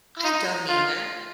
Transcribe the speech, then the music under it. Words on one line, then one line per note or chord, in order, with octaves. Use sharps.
I don't either.
D#4
F4